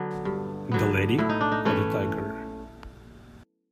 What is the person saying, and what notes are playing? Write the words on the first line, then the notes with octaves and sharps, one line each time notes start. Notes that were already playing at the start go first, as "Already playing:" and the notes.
The Lady, or the Tiger?
Already playing: D3 F#3 B3
G2
D3 F#3 B3
A2 E4
D#4
D4
D#4
E3 A3 C#4